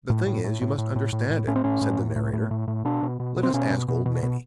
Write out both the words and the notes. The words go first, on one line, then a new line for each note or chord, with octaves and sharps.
"The thing is, you must understand it," said the narrator; "let us ask old Nanny."
A2
A2
A2
A2
A2
A2
A2
A2
A2 C#4
C4
A2 C#4
A2
A2
A2
A2
A2
A2
B2 D4
B2
B2
B2
C4
B2 C#4
B2
B2
B2
B2